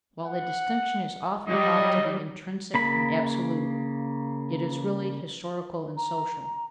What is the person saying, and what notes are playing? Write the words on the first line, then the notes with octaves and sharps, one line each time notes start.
While the distinction is often thought to be intrinsic and absolute, it is really historical and social.
F#5
F#3 G3 D#5
C#3 A#3 B5
A#5